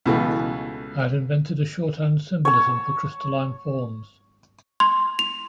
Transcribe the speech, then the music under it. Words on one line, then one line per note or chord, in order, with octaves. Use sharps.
I had invented a shorthand symbolism for crystalline forms.
C#2 B2 E3 A3
C#5 A5
C6
F7